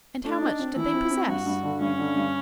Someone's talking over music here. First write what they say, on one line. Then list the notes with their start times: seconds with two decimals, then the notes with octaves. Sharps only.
"And how much did they possess?"
0.24 A3 D4
0.41 D#4
0.59 C4
0.76 E3 E4
0.93 C4
1.10 C4
1.28 G2 F#4
1.46 G2
1.63 D3
1.80 G2 C#4
1.98 D3
2.16 G2